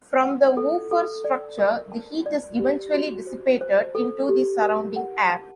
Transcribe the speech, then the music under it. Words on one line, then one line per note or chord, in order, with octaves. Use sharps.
From the woofer structure, the heat is eventually dissipated into the surrounding air.
F#5
A4
A4
D5
A#4
A5
D5
G4
F#4
C5
C5
A4
G4
A#4
F#5
A5